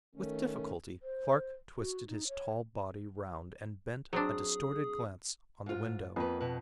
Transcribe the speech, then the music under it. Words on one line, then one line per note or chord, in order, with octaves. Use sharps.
With difficulty Clark twisted his tall body round and bent a distorted glance on the window.
D#3 A3 C#4
C5
F#4
D#4
C#5
F#3 C4 D4 G#4 D#6
G#2 F4
F2 A#3 B3 B4
B2 B4